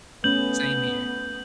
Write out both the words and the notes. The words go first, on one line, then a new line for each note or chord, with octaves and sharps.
Same here.
A3 B3 C#4 G6 F#7